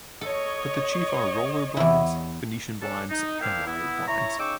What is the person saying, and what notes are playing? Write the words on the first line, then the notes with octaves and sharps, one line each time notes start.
But the chief are roller blinds, Venetian blinds, and wire blinds.
A4 C#5 D#5
E2 E4
C#4 D4 A4
D#4
A#3 C4 D4 E4 F5 G5
B3 E4
E4 C#5 A#5
C#3 D#4 G5 C#6 D6 E6